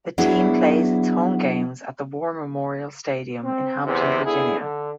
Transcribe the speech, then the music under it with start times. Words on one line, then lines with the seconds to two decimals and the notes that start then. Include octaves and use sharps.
The team plays its home games at the War Memorial Stadium in Hampton, Virginia.
0.18 F#3 B3 D4 E4 G#4
3.43 C4
3.85 E2 C3
4.24 D3 B3 E4 G#4
4.59 D3